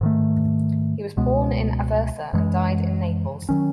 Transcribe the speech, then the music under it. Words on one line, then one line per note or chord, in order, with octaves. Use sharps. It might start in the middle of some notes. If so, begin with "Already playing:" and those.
He was born in Aversa and died in Naples.
G#2 D#3 A3
C#2 B2 G#3 B3
F#2 E3 G#3
D#3 F#3 C#4